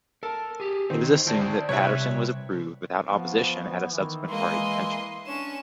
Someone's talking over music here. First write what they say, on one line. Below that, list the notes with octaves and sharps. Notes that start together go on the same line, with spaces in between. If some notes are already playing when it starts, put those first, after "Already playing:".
It is assumed that Patterson was approved without opposition at a subsequent party convention.
A4 A#4
G4 G#4
D#3 C4 D#4
D2 E4 C5 D5
C3 G3 E4 B4 C#5
F3 B3 F#4
D#3 E3
G#3 A#3 D#5 C6
C#4 D4 C#5 E7